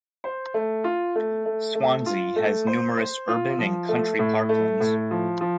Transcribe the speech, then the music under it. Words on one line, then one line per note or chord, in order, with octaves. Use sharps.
Swansea has numerous urban and country parklands.
C5
A3
F4
A3
A3
A3
F4
A3
C5
C5
F4
F3
A3
A2
A3
A2
F3
F3